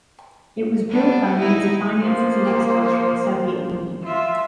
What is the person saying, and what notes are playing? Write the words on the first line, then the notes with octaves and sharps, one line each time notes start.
It was built by means of finances and experts from the Soviet Union.
B3 D4
D#4 E4
F3 A#3
F4 E5